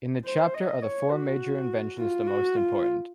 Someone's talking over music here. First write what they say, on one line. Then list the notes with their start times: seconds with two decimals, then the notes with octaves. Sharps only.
In the chapter Are the Four Major Inventions the Most Important?
0.25 C5
0.54 D#5
0.82 C#5
1.12 F#4
1.98 F4
2.27 F#4
2.56 F4